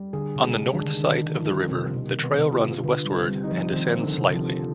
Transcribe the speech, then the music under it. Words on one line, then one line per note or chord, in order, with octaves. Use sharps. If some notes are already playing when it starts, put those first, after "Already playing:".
On the north site of the river the trail turns westward and descends slightly.
Already playing: G3
D3 G#4
C3
G#3
D#3 D4
D3
D#3 D#4
D#3
F3
G3
C4
C3
B2 D#3
B3
C3
F4
D3 B4
G3
C4
G3
D#4
F3
D#3 C4
D3
C3
F3